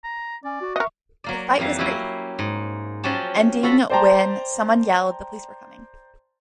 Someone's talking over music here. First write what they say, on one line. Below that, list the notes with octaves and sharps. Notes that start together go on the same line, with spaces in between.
The fight was brief, ending when someone yelled the police were coming.
A#5
C#4 D5
F#4
A#4 D#5 E5 F#5 C#6
F#3 A#3 D5
F2 E3 G3 F5
F#3 A#3 C#4 E4 G4
G#2
F3 F#3 C#4 G4 A5
F4 F#4 A4 B5
C5 D5 G5 A5 A#5 C6